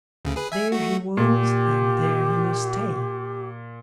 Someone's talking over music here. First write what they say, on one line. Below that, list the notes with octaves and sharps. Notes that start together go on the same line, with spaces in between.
There he was, and there he must stay.
D2 C#3
G#4 B4
E5 G#5
A3 F#4
A#2 G4